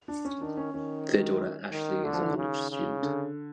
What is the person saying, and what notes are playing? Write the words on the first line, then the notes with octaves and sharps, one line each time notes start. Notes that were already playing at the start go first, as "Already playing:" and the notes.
Their daughter Ashley is a college student.
D4
C#4
D#3 D4
C#4
D#3 C#4
D#3
D3 A3
F3
E3
D#3
C#3
C#3
D3